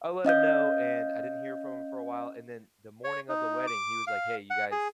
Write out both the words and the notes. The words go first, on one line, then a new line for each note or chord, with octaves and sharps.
I let him know and I didn't hear from him for a while, and then the morning of the wedding, he was, like, "Hey, you guys,
C#4 D#5 F5 G6
C#5
D#4
D6
F5
F#5
G#4